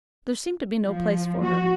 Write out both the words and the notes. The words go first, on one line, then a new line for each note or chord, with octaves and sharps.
There seemed to be no place for her.
F3
F#4